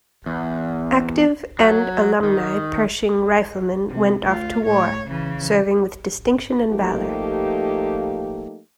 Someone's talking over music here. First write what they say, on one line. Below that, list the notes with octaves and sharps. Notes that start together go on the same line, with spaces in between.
Active and alumni Pershing Riflemen went off to war, serving with distinction and valor.
E2
F#3
D#3
C3
D2 F4
A2 C#5
C#3 E3
F3 A3 A#3 D#4 G4